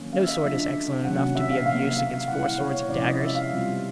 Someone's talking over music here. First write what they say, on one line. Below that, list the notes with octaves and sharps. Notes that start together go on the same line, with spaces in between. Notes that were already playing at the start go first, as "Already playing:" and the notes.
"No sword is excellent enough to be of use against four swords and daggers."
Already playing: D#3 F#3 A#3 C#4
F5
E5
D#5
E5
D3 F#3 A3 D4 F4
C3 D#3 F#3 A#3 C#4 F#5
E5
F5
C3 F3 A#3 F5
E5
F5
F5
A#2 G3 B3 E4 F#5
F5
C#5
C#5
C3 F3 G#3 C#4 E4 D5
D#5
E5
F5
B2 G3 C4 F4